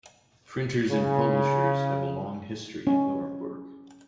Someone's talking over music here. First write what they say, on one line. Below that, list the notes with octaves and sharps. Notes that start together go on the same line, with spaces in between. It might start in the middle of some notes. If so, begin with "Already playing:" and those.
Printers and publishers have a long history in Nuremberg.
C#3
C#4